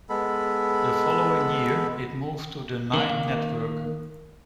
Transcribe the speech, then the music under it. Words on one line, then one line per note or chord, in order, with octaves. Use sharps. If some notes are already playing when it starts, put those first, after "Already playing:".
The following year it moved to the Nine Network.
G#3 B3 A4 B5
D#3 A#3